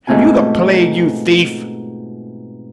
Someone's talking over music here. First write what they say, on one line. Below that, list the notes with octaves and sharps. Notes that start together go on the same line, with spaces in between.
Have you the plague, you thief?
G#2 B2 A3 C4 F4 G#5